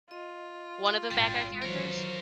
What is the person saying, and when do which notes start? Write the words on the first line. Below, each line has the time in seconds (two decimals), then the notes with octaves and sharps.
One of the bad guy characters?
0.11 F4 D#5
1.11 G#1 A#2 G3 D4 G5
1.62 D#3 E3 F#3 A#4 C5 C#5